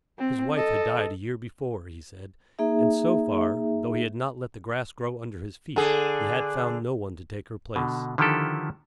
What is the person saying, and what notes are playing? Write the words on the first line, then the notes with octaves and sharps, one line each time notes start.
His wife had died a year before, he said, and so far, though he had not let the grass grow under his feet, he had found no one to take her place.
C4
A4 D#5
A#3 D#4 G#4 E5
D3 G#4
B2 D3
D3 D#3 F3 E4 G4 A4